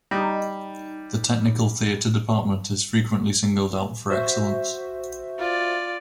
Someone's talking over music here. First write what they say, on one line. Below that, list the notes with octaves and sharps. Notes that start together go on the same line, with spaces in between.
The technical theater department is frequently singled out for excellence.
G3 D#4
F#4 C5 E5
F4 D5